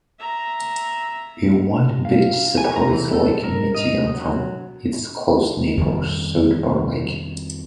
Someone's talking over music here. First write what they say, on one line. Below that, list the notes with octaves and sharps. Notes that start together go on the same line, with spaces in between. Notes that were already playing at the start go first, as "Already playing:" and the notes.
A wide beach separates Lake Michigan from its close neighbor, South Bar Lake.
E5 A#5
F5
G#5
A#5
E3
A4
A#4
D#5
F#3
F2 D#3 F3 G3